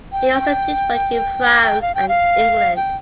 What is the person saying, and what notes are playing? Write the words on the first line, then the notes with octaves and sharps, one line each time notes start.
He also did work in France and England.
G5
G5
F5
G5
F5
G5